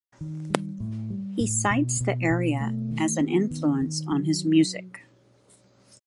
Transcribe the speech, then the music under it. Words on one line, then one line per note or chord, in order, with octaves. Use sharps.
He cites the area as an influence on his music.
D#3
G3
A2
G3
A2
B2
B2
B2
A3
D#3
B3
D#3
D#3
F#3